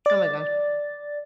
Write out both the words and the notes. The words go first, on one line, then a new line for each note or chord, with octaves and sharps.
Oh my gosh.
D5 A6